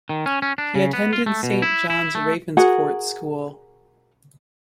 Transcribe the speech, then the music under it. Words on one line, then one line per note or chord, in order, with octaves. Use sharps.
He attended Saint John's-Ravenscourt School.
D#3
C#4
C#4
D4
C#3
B3
F4
A3
B2
E4
E4
A3
F#4 G#4 A#4 F#5